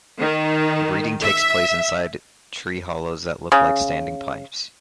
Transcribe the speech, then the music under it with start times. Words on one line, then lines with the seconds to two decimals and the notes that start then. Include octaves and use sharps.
Breeding takes place inside tree hollows that look like standing pipes.
0.20 D#3
1.24 E5
3.52 C#3